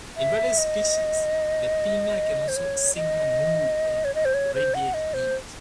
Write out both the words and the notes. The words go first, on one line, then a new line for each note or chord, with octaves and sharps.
In various species, the pinna can also signal mood and radiate heat.
E5
D#5
C5
C#5
D#5
C#5
D#5
C5
C#5
C5
F#5
D#5
C5